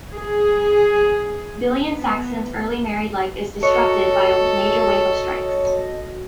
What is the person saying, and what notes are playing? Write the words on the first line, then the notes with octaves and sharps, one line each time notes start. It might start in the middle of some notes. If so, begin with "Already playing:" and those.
Billy and Saxon's early married life is disrupted by a major wave of strikes.
G#4
B3
F#4 A4 C#5 D#5